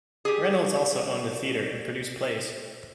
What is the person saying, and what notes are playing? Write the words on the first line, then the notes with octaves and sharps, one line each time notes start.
Reynolds also owned a theater and produced plays.
G4 G#4